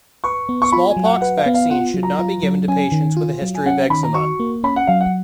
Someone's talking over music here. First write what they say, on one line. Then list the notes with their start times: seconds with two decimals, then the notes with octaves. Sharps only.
Smallpox vaccine should not be given to patients with a history of eczema.
0.24 B4 C#6
0.49 B3
0.62 C#6
0.72 F4 B5
0.89 G#5
0.97 F#3
1.05 F#5
1.21 B4 F#5
1.38 F5
1.46 B3
1.54 F5
1.70 F4 F#5
1.94 F#3
2.03 A#5
2.19 F4
2.43 F#3
2.68 C#4 G#5
2.92 D#3
3.17 F4
3.42 F#3
3.55 G#5
3.66 C#4 F#5
3.90 D#3 B5
4.03 A#5
4.14 F#4 C#6
4.40 A#3
4.64 C#4 B5
4.76 F#5
4.87 F#3 F5
5.01 F#5